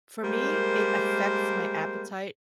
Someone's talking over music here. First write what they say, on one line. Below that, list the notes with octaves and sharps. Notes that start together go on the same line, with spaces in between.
For me, it affects my appetite.
G3 G#3 A#3 A#4 C5